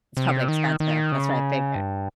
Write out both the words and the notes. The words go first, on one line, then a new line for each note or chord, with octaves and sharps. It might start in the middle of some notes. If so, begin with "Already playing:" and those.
It's probably expensive that's what I figured.
C3
D#3
D#3
C#3
G2